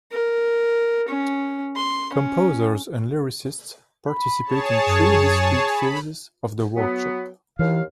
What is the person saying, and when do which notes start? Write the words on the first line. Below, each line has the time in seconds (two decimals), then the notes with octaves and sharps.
Composers and lyricists participate in three discrete phases of the Workshop.
0.11 A#4
1.08 C#4
1.76 C6
2.13 C#4
4.06 B5
4.44 G#4 C#5 A5
4.86 F#2
5.67 G#5 B5
6.76 F#3 B3
7.59 D#2 E3 F5